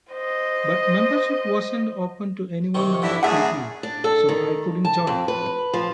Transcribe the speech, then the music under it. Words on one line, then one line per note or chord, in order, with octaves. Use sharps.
But membership wasn't open to anyone under eighteen, so I couldn't join.
C5 D#5
C3 D#3 C4 C#6
G2 D3 E3 E4 E5
F#2 A2 G#4 E5 F#5 A5
D4
A4
D#3
A5
F2
B4
F3